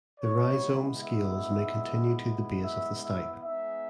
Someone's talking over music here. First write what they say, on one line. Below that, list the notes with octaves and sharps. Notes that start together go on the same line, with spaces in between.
The rhizome scales may continue to the base of the stipe.
G#3 B3 E4 C#5
E5
E5
E5
G#3 B3 D#4 E5